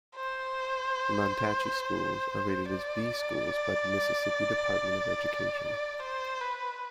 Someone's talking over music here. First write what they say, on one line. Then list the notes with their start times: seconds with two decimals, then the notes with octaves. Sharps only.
The Mantachie Schools are rated as "B" schools by the Mississippi Department of Education.
0.15 C5
2.66 D5
5.99 C5
6.41 B4